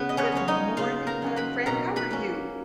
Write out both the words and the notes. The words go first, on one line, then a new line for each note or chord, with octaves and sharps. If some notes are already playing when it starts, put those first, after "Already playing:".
Good morning, my friend. How are you?
Already playing: C#3 B3 B4
D#5
C#4 C#5
F#3 C#4 F4 C#5
D#4 D#5
C#3 F4 F5
A#4 A#5
F#3 C#4 F4
B4 B5
B2 A#4 A#5
B4 B5
A#3 C#4